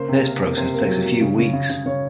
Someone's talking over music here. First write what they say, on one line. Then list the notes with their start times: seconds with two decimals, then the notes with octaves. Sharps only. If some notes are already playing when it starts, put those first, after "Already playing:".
This process takes a few weeks.
Already playing: C#3 A#3 C5
0.09 C3
0.25 A#3 A#4
0.41 A#3
0.57 C3 C5
0.74 A#3
0.89 F#3
1.06 F#3
1.21 C#3
1.38 C#3
1.53 C#3
1.70 C#3
1.86 C#3 C#5